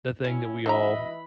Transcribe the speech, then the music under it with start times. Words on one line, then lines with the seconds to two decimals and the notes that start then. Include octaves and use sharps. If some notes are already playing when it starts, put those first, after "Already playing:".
the thing that we all
0.25 C#4 E4
0.66 E3 D4 F#4 D#5 E5 A#5 B5